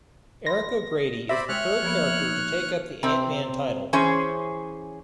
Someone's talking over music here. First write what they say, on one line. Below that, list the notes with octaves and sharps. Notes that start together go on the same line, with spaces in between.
Eric O'Grady is the third character to take up the Ant-Man title.
B5 C6 A#6
C5 D5 E5 B5 E6 A#6
G#3 C#5 G5 F6 F#6
F3 A#3 B3
D#4
C3 C4
E3 C#4 G#4 C5 C#5